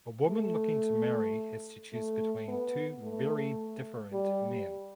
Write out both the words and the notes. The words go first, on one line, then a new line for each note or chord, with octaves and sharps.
A woman looking to marry has to choose between two very different men.
A3
A3
B3
A3
G3